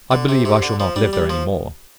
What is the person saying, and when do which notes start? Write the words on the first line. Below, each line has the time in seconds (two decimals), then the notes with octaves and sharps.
I believe I shall not live there any more.'
0.11 D3
0.29 C3
0.45 C3
0.62 D3
0.80 F3
0.96 G3
1.13 G3
1.30 F3